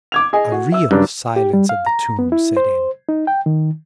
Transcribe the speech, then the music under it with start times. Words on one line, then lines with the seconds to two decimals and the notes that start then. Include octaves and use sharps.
A real silence of the tomb set in.
0.12 D6 G#6 F7
0.33 G#4 D#5 G#5
0.52 F#4
0.72 E5 E6
0.91 G2 C#3 F#3 D4
1.36 G4
1.53 G3
1.69 F5
1.86 A#5
2.19 B3
2.32 E4
2.57 C5
3.09 D#4
3.27 G5
3.46 D#3